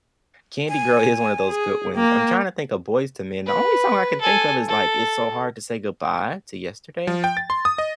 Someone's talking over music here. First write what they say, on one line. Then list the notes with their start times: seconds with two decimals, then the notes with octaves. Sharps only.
Candy Girl is one of those good ones. I'm trying to think of Boyz II Men, the only song I can think of is, like, "It's So Hard To Say Goodbye To Yesterday?"
0.69 G#5
1.49 G#4
1.95 A#3 G5
3.46 B4
4.21 A4 G#5
4.69 A4
7.07 F3
7.24 G5
7.37 A6
7.50 C6
7.65 D#6
7.78 D#5